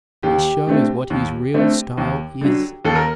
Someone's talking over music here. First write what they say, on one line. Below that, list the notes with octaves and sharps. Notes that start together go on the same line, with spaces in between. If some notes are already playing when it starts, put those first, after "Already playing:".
He shows what his real style is.
D#2 G4
D3 A3 C4
D#2
D3 A3 C4
D#2
D3 F#3
D#2 A4
A#4